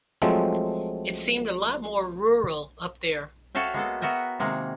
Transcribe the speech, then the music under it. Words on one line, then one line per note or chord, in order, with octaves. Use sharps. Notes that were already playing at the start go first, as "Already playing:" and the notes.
It seemed a lot more rural up there.
F3 F#3 G#3 A3 C4
F#4 A4 C#5 E5 F5 G5
G#3 A#3 B3 A4
B3 F#4 A#4 E5 G5
C3 D#3 G#3 A#3